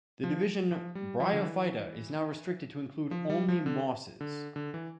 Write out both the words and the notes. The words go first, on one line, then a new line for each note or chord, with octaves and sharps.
The division Bryophyta is now restricted to include only mosses.
F3
F3
G3
F3
D3
E3
F3
G3
F3
D3
D3
D3
E3